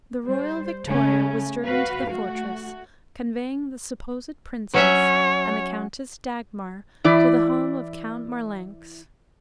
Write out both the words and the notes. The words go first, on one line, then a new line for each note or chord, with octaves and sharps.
The royal victoria was driven to the fortress, conveying the supposed princess and the Countess Dagmar to the home of Count Marlanx.
G3 C5
C#3 A3 C#4
F#4 B4 F5
A3 F#4
F#3 C#4 C#5 E5
E3 E4 D5